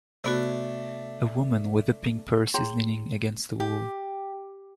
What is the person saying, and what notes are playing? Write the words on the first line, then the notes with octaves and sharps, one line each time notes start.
A woman with a pink purse is leaning against a wall.
C3 A3 B3 D4 F#4
G#4 C#5 G5 A#5 C6
G4